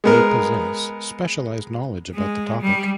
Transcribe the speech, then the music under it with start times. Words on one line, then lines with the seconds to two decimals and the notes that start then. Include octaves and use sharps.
They possess specialized knowledge about the topic.
0.04 G#3 B3 A#4
2.14 G#3
2.61 G3